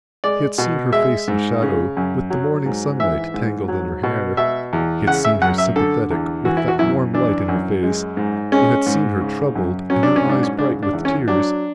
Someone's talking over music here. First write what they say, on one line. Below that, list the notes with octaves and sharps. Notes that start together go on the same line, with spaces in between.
He had seen her face in shadow, with the morning sunlight tangled in her hair, he had seen her sympathetic with that warm light in her face, he had seen her troubled and her eyes bright with tears.
G#3 D5
B2
G#3 E5
G#2
C#3
F#2
F#3
G#2
E3 E5
G#2
F#3
B2
B2 E5
E2
C#3 F#5
E5
F#2 F#5
E5
D3 A4
E2
E3 F#4
E4
F#4
F#2 E4
E3 D4
F#2
G#3
G#2
G#3 C#4
G#2
C#3
F#2
F#3 C#4
D4
C#4
G#2
D4
C#4
C#3 D4
D4
E2
C#4
F#3 D4